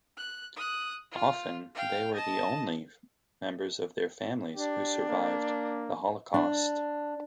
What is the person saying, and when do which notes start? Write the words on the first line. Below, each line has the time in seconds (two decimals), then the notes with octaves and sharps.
Often they were the only members of their families who survived the Holocaust.
0.17 F#6
0.56 D#6 F#6
1.12 F4
1.74 F5 G5
2.14 D#5 A5
4.55 D4 G4
5.09 A#3
6.34 D4